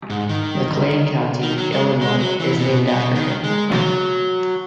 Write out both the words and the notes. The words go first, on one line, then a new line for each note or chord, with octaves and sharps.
McLean County, Illinois is named after him.
G#2
D#3
D#3
F#3
G#3
G#3
F#3
E3
A2
B2
B2
D#3
G#3
F#3